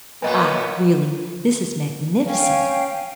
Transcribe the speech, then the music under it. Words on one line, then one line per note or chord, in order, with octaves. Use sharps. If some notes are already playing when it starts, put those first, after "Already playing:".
Ah, really this is magnificent!
F#2 A#2 A#3 B3 B4 D#5 G#5
C#4 F5 G5